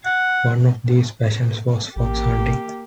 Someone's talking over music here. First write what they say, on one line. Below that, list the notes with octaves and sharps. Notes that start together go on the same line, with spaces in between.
One of these passions was fox hunting.
F#5
A1 A#3 G4